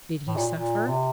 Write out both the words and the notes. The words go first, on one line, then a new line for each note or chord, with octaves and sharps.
Did he suffer?
A2
A#2
A#2
C3